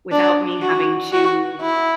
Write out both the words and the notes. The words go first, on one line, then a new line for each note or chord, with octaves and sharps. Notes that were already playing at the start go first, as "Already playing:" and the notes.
without me having to,
D4
F#4
F#4
E4